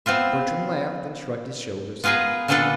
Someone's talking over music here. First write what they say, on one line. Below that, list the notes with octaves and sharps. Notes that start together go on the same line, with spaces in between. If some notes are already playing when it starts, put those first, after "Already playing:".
Bertram laughed and shrugged his shoulders.
B3 C4 F4 E5
B3 F4 G#4 A#4 B4
A#2 D3 B3 D4 F4 A4